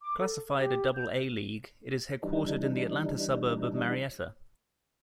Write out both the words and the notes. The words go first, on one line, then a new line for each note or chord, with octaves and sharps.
Classified a Double-A league, it is headquartered in the Atlanta suburb of Marietta.
D6
A4
G4
G6
E3 G3 D4 D#4